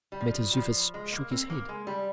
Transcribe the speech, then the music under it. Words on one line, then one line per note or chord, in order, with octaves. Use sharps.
Mentezufis shook his head.
G3
F3
G3
F3
G#3
A#3
C4
A#3
G#3
G3